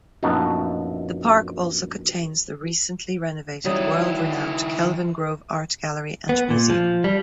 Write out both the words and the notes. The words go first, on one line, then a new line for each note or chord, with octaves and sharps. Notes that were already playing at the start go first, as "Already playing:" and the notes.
The park also contains the recently renovated world-renowned Kelvingrove Art Gallery and Museum.
A#1 F#2 B2 D#4 F#4 A5
D#3 F#3 G3 D#4 E4
B3
A#2
F3
G3